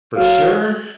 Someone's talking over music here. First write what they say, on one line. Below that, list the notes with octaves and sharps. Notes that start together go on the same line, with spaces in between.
For sure,
F#3 F5